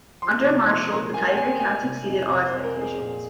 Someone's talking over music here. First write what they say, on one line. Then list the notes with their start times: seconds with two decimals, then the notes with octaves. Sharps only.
Under Marshall, the Tiger-Cats exceeded all expectations.
0.22 F3 C6
0.44 C3 C#6
0.68 F3 C6
0.91 A#3 A#5
1.14 A#3 G#5
1.31 G5
1.37 A#3 G#5
1.60 G3 G#5
1.84 C3
2.06 F2
2.29 C3 A#5
2.46 C5
2.53 F2
2.63 A#4
2.75 F2
2.81 G#4
2.98 A#2